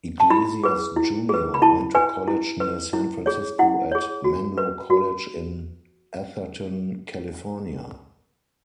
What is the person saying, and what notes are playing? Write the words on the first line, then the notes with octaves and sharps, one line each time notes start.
Iglesias Junior went to college near San Francisco at Menlo College in Atherton, California.
A5
E4 B5
G#4 B4
E4
G#4 B4
B5
E4 A5
B4 G#5
E4
B4
E4
G#4 C#5
E4 F#5
G#4 C#5
F#4
B4
F#4